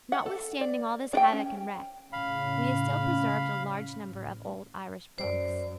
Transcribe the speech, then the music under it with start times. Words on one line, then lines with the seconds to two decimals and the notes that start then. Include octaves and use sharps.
Notwithstanding all this havoc and wreck, we have still preserved a large number of old Irish books.
0.12 F#5
0.26 A4
0.61 D5
1.13 D4 G5
1.33 C#4
2.13 A2 C#3 C#4 F5 B5
4.08 A1
5.18 F#2 C5 D5